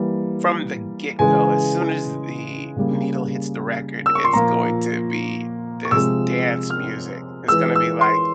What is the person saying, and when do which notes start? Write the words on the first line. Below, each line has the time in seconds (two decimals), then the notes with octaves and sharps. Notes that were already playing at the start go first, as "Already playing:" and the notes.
from the get go, as soon as the needle hits the record, it's going to be this dance music. It's gonna be like,
Already playing: E3 G3 A#3
1.19 C#3 E3 G#3 G#5
2.76 C#3 G3 A#3
4.06 E6
4.15 C#6
4.24 C6
4.33 A#2 F3 A#3 A#5
5.85 C#6
5.91 C3 F3 G#3 E6
6.70 F6
7.48 E3 G#3 E6
7.75 E6
8.01 C6